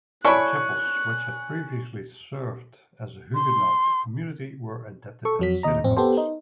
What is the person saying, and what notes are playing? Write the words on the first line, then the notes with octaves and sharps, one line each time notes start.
The chapels, which had previously served the Huguenot community, were adapted as synagogues.
E4 A4 C#5 D5 G#5 B5 C#6 F#6
C6
A4 C#6
F2 F#3 B6
D#2 D#5 A#5
A1 F2 C4
B3 G4 A4 C5
D#4